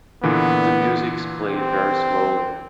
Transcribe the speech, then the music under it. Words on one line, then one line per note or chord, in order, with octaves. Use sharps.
The music is played very slowly.
A#2 D3 E3 B3
C4